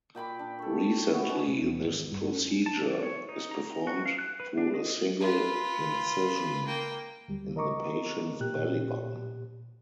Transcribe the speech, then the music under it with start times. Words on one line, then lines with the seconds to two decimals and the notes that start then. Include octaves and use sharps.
Recently, this procedure is performed through a single incision in the patient's belly-button.
0.15 A#2 G5 B5 D6
0.39 D4
0.59 A4 C#5
0.80 G4
1.11 B3 E4 F#4
1.29 G#3 C#4 B4 D5
1.48 C3
1.62 E2
1.82 G#1
2.12 G2
2.32 C#4
2.66 A5
2.82 E3
3.03 C#5
3.29 D#4
3.51 A#5
3.87 F#4
4.06 F5
4.19 F#6
4.40 B4
4.58 D4
4.74 D#5
5.20 F4 B4
6.66 A#3 G5
7.28 D2 G3
7.56 A#4 D#5 A#5 C#6 D6
8.40 A#2 G4 F#6